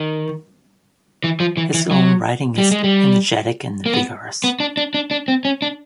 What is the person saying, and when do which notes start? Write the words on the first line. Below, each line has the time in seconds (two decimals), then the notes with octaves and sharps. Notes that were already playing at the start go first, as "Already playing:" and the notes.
His own writing is energetic and vigorous.
Already playing: D#3
1.24 E3
1.40 F3
1.57 E3
1.74 E3
1.91 F#3
2.58 G3
2.71 G#3
2.84 G3
3.86 A#3
3.94 B3
4.44 B3
4.60 D4
4.77 D4
4.94 D4
5.11 D4
5.28 C4
5.45 C#4
5.62 D4